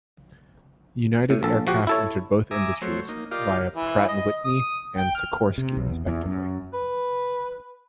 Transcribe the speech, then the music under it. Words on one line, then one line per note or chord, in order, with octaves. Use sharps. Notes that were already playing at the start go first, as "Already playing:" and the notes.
United Aircraft entered both industries, via Pratt and Whitney and Sikorsky, respectively.
A2
A#1 A4
F3 F#4 G4
E4 A4 C#5
E5 G#5 A#5 D6 D#6
F#3 A3 C5 C#5
A#3 D#4
F4 G4 A#4 D5 D#5 F5
E3
D#5
D#6
G5
F6
C3
B1
E2
E2
F#2
B4